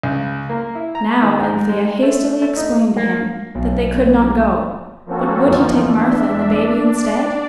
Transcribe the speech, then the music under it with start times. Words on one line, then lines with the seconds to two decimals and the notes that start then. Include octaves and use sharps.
Now Anthea hastily explained to him that they could not go, but would he take Martha and the Baby instead?
0.03 C#2
0.49 A#3
0.75 E4
0.95 A#5
1.22 D#3
1.38 G#2
1.69 G#3
2.03 A3
2.42 A3
2.56 D#4
2.96 A#3
3.55 B1
5.06 F3 A#3 C4 C#4 F#4 A4
5.43 F2 D3 E3 F3 D#4 F4
5.88 E2 D4 E5
6.54 D4 D5